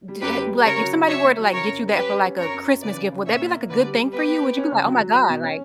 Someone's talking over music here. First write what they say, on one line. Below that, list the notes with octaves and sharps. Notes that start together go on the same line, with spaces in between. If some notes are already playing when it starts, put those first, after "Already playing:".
d y h like, if somebody were to, like, get you that for, like, a Christmas gift, would that be, like, a good thing for you? Would you be like, "Oh my god, like"
G3
F#2 G4 B4
G3
G3
C#3 A#4 C#5
F#3
C#3
D4 C#5 E5
A#3
F#3
C#3 A#4 C#5
F#2
G3
C#4 G4 B4
G3
C#4
F#2 A#4 C#5
F#2
F#2
C#3 B4 D5
C#3
C#3
A#2 C#5 E5
A#3
A#3
D3 B4 D5
G3
G3
B3 G4 B4
B3
B3
C#4
C#3
F#3
F#3
F#3
B2
C#4